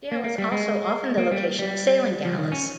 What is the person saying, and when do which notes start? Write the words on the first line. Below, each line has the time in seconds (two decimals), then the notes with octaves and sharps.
Dale is also often the location of sailing galas.
0.12 A#3
0.24 A#3
0.38 G3
0.52 G#3
1.18 A#3
1.31 G3
1.59 G3
2.25 F3
2.38 D#3
2.52 C#4